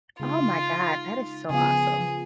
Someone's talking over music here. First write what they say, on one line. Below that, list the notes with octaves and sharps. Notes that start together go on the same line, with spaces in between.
Oh my God, that is so awesome.
C#3 G#3 D#4 F4
C#3 F3 B3 F4 G#4